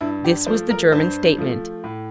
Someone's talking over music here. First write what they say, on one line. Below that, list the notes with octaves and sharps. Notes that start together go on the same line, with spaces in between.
This was the German statement.
G2 E4
G4
F3 A3 C5
A#4
G2 C5
F3 A3
A2